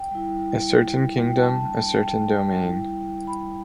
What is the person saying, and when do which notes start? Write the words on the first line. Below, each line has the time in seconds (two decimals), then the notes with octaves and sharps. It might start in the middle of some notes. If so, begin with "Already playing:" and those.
A certain kingdom, a certain domain.
Already playing: G5
0.11 G3 E4
1.27 G5
1.37 G3 D4 A5
2.00 G5
2.63 G3 E4
3.27 B5